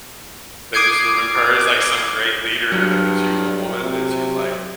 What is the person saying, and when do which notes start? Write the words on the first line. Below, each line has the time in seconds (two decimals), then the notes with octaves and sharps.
They just remember her as, like, some great leader, like, 'cause she was a woman, and she's, like,
0.74 D6 D#6 G#6 C7 D7
2.72 G2 F#3 F6 C#7
3.80 C3